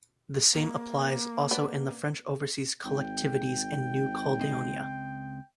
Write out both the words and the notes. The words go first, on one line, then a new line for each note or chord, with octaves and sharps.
The same applies also in the French overseas collectivities and New Caledonia.
A#3
B3 D4
G#1 G5
C#2 C4 D#5